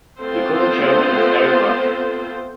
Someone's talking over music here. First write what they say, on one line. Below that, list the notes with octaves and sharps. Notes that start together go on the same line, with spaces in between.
The current chairman is Eric Ruch.
A3 B3 C4 F4 A4 C5